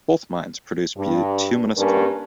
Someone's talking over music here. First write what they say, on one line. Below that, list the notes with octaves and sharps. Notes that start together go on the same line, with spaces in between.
Both mines produce bituminous coal.
G2
G2 G3 A#3 C#4 A#4